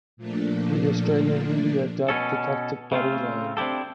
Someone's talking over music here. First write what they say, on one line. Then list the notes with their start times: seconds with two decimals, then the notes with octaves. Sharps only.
The Australian media dubbed the tactic 'Bodyline'.
0.17 A#2 F3 A3 A#3 D4
2.09 B2 C#4 A4
2.92 C#3 A3 C4 F4
3.57 C4 D4 E4 G4 A4